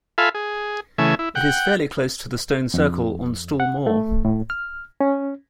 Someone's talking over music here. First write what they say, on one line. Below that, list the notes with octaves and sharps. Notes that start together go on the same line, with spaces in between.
It is fairly close to the stone circle on Stall Moor.
F4 A4 E5 F5 G#5 B5
G#4
C#3 E3 A3 E5 G#5
E4
F#5 G5
F2
F#5
A3
A2
F6
C#4